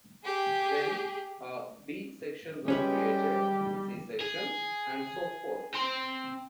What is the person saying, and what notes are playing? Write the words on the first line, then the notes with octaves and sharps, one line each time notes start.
Then a "B" section was created, "C" section, and so forth.
G4 G#4
G3 G#3 C#4 G4 B4 E5
G#4
C4 C6